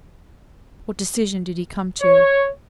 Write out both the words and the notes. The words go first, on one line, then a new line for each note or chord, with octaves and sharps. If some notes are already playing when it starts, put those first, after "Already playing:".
What decision did he come to?
C#5